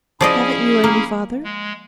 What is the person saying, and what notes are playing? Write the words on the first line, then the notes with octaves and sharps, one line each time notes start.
"Haven't you any father?"
F3 C#4 E4 G#4 D5 D#5
A#3
G#3